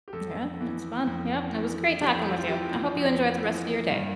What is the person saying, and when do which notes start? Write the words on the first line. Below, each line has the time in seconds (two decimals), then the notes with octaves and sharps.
Yeah, that's fun, yep, and it was great talking with you, I hope you enjoy the rest of your day.
0.08 G4
0.13 F2 A4
0.61 E3
1.07 F2
1.54 E3
2.02 F2 G4
2.14 A4
2.26 G4
2.38 F4
2.49 E3 G4
2.96 F2
3.43 E3
3.90 G2